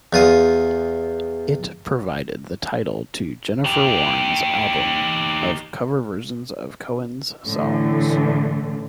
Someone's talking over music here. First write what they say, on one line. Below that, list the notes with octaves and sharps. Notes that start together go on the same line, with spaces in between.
It provided the title to Jennifer Warnes' album of cover versions of Cohen's songs.
E2 F4 D#6
D#4 G4
A2 D3 E3